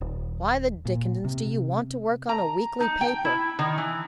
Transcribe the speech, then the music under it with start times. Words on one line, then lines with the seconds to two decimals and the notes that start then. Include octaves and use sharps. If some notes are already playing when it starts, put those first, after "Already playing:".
'Why the Dickenson do you want to work on a weekly paper?
0.01 D#1
0.85 A#2
1.25 C3
2.29 A#5
2.80 D#4
3.01 G5
3.25 E4
3.59 D#3
3.78 E3